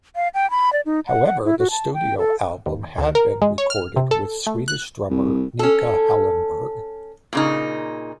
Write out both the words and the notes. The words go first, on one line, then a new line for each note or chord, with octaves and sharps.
However, the studio album had been recorded with Swedish drummer Nicka Hellenberg.
F5
G5
B5
D5
D#4
F#5
F#5
E4
F#4
A5
G5
A4
D#2
D2
A#4
G#3
C#5
F6
C3
A4
A3
F#6
C2
C#4 A4
A#2 C#3 D#4